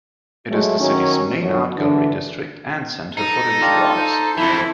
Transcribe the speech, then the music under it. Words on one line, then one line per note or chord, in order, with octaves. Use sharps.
It is the city's main art gallery district and center for the visual arts.
F#3 G#3 A3
D#3 F#3 C#4
F#2 D3 F#3
D3 E3
D#4 A4
D4 F4 G4
C5 A5
F2 E3 E4